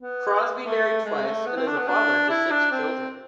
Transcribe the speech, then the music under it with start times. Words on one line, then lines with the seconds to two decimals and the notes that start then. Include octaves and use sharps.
Crosby married twice and is a father to six children.
0.01 B3
0.63 A3
1.05 G#3
1.26 A3
1.46 B3
1.56 C4
1.67 D4
1.78 B3
1.88 D4
2.30 E4
2.51 D4
2.71 C4